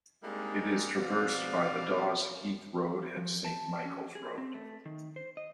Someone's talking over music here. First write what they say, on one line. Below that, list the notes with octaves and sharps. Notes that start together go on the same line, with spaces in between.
It is traversed by the Daws Heath Road and Saint Michael's Road.
G3 G#3 A#3 C4 D4 D#4
B2 F3 B3 C4 D5 F5
F3
A5
C#4
G#4
C4
A3
D#3
C5
D#5